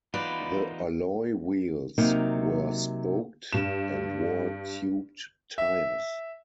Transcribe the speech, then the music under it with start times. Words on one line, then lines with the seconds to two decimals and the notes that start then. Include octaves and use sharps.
The alloy wheels were spoked and wore tubed tyres.
0.14 E2 B3 D#4 F4 D5 B5
1.98 C3 F#3 A#3 D#4
3.53 G2 E7
5.58 E5